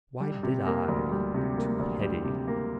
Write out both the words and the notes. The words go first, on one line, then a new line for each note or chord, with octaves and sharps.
Why did I? Too heady.
G3
C3
A#3
D2
G3
C3
A#3
D2
G3
C3
A#3